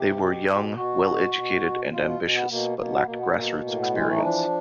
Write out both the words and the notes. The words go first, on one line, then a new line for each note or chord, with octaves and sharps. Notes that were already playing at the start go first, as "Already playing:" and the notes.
They were young, well-educated and ambitious but lacked grassroots experience.
Already playing: C3 G4
B2
B2
B2 F#4
B2
B2
B2
B2 F4
F4
B2
B3
B2 A#3
B2 A#3
B3
B2 A#3
B3
B2 A#3
A2 A#3
B3
E3 G#3
A3
D#4
F3 D4